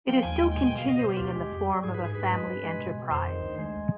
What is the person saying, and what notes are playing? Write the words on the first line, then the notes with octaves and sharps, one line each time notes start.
It is still continuing in the form of a family enterprise.
F3 G5
D#2 G#5
G#3 G5
G5
B2 G#5
G5
B2
F5
B2 D#5
C5
B2
G4
F4
D2 G4
G#3
F2
G3
G#2 G#4
B4
G#2 G#4
G2 B4
G#3
G2
G#3
B2
B2
F2 C5
D#3
D2
G#3